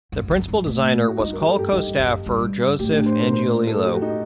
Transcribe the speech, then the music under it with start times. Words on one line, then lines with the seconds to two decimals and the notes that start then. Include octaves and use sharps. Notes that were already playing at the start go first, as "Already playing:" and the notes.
The principal designer was Coleco staffer Joseph Angiolillo.
0.12 F#2
0.31 F#2
0.48 G2
0.66 A2
1.08 F#4
1.19 G2 D#4
1.33 A#4
1.41 G4
1.46 A4
1.59 G4
1.72 G2 D#4
1.99 F#2
2.26 G2
2.79 A2 G4
2.92 D4
3.06 C5
3.19 A#4
3.33 C5
3.51 A#4
3.67 A4
3.86 G4
3.94 F#4
4.02 D#4